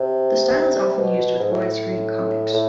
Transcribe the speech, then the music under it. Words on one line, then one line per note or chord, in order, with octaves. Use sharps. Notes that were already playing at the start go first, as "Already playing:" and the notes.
The style is often used with widescreen comics.
Already playing: C3
B2
G#2
A2
A2